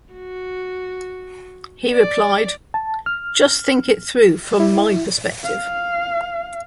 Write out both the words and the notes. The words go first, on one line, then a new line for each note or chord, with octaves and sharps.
He replied: Just think it through from my perspective.
F#4
D5
A5
F6
E4
F5